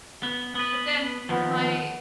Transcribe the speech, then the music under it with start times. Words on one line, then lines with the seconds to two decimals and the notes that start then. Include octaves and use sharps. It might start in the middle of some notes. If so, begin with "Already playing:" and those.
but then my
0.23 B3
0.55 B3 B4
1.29 D#2 F3 B3
1.60 B3